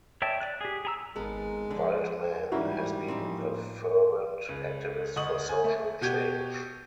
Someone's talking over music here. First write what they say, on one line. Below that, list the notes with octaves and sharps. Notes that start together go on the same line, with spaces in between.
Waldman has been a fervent activist for social change.
C#5 D5 E5 G5 A5
D5 F#6
G4 G#4
G#4 A#5 E6
G#1 G#3 B3 A4 A#4
D3 F3 A4
G#2 D#3 E3 G3 A#3 C#4 E4 F#4
A2 F3 A#3 C4 C#4 D#4
C#2
D2 D#5 C#6 D#6 F#7
G#5
A3
B2 F#4 G4 G6 G#6